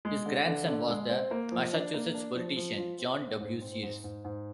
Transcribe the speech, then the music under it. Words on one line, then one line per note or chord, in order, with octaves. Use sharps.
His grandson was the Massachusetts politician John W. Sears.
G#3
D3
D3
D3
G#3
C4
A#3
F3
D4
A#3
D4
F3
F3
F4
C4
C4
G#2
C4
G#2
G#2
G#2